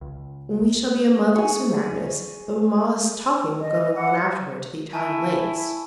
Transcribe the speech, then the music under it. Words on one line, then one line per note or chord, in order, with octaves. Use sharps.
"We shall be a month with Sir Magnus; but mamma is talking of going on afterward to the Italian lakes."
C#2
G#4 C#6
D#5
F#5
E4 G#5 A5 C#6